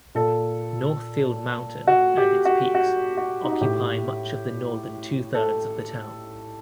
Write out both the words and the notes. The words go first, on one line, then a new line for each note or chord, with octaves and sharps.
Northfield Mountain and its peaks occupy much of the northern two-thirds of the town.
A#2 A4
F#4
G4
F#4
F#4
F#4
D#4
F#4
A2 G4
A4